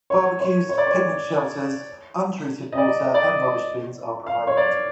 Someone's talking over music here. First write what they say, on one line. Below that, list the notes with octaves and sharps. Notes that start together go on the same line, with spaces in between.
Barbeques, picnic shelters, untreated water and rubbish bins are provided.
C#5
C#5
C#5
D5
C#5
D#5
D5
D5
D#5
F5
C#5
D5